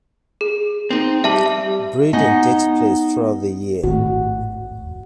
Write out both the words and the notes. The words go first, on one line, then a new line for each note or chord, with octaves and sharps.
Breeding takes place throughout the year.
G#4
C4 D#4
G3 E5 A5 F#7
E5
B3 D#4 F#4 D#5 G#5
G#1 A2 F#4